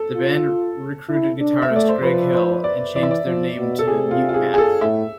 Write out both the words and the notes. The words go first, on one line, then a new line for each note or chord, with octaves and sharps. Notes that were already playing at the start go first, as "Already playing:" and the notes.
The band recruited guitarist Greg Hill and changed their name to Mutemath.
Already playing: A4
F4
E4
D4
E5
A3 D5
C5
F3 B4
C5
D5
E3 D5
E5
D5
F3
B2
A4
C3 G#4
F4
F4
G#4
G#4
A4
A2 E5